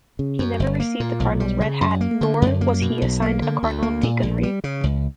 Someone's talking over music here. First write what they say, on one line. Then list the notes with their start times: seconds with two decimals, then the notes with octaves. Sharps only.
He never received the cardinal's red hat nor was he assigned a cardinal-deaconry.
0.19 C#3
0.39 F#2
0.60 G1
0.80 A#3
1.00 A#2
1.20 B1
1.40 G3
1.60 C#3
1.81 F#2
2.01 A#3
2.21 D3
2.42 F#2
2.61 A#3
2.82 B2
3.02 B1
3.22 A#3
3.42 D3
3.63 D2
3.82 A#3
4.03 A#2
4.23 A#1
4.43 G3
4.64 C#3
4.84 C#2